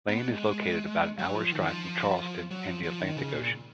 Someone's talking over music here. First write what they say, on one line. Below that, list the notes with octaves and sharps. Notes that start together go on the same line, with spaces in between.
Lane is located about an hour's drive from Charleston and the Atlantic Ocean.
B3
G#3
F#3
F3
D#3
F3
F#3
F3
F3
D#3
C#3
A#2